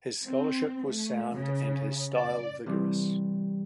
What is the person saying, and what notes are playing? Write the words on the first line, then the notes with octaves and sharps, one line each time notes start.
His scholarship was sound and his style vigorous.
C4
A3
C#3
D5
C3 E3 G3